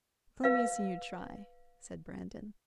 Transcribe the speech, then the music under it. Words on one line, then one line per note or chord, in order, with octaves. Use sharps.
"Let me see you try," said Brandon.
B4 F5